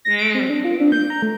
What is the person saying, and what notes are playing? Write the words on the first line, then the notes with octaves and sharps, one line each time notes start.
Mm, mm.
A#6
D7
C4
D4
F4
D4
G6
A#5
A3